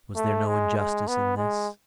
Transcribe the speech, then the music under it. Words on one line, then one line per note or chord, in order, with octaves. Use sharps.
Was there no injustice in this?
A3
G#3
G#3
B3
G#3